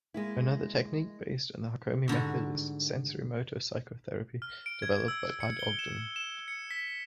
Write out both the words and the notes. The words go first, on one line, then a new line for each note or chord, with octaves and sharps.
Another technique based on the Hakomi Method is Sensorimotor Psychotherapy, developed by Pat Ogden.
G#3 A#3 E4
G#2 D3 G3 F#4
F6
D7
G#6
E6
C#7
G7
E7
E7
C#7
B6